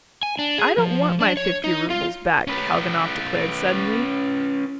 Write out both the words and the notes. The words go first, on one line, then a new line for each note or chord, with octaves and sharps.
"I don't want my fifty roubles back," Kalganov declared suddenly.
G#5
D4
G#4
F3
D4
C#5
D#4
F4
C#4 B4